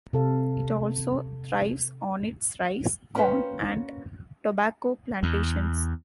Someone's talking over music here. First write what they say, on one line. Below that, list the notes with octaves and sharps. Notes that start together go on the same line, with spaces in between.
It also thrives on its rice, corn and tobacco plantations.
C3 A4 F5
A#3 C#4 F#4 B4 C5 G5
E2